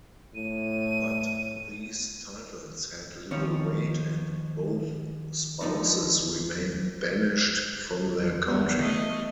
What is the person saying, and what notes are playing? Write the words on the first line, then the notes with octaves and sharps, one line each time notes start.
But these titles had little weight and both spouses remained banished from their country.
A2 D#7
D#3 F3 C4 C#4 C#5
D3 F3 D#4
E2
A3 D#5